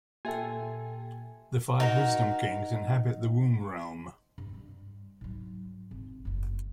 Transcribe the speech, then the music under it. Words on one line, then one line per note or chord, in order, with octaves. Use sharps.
The Five Wisdom Kings inhabit the Womb Realm.
A#2 G4 A4 E5 G5 G#5
D#4 F#4 A#4
G2
G3
G#2 F#3
G#1
F#1 A3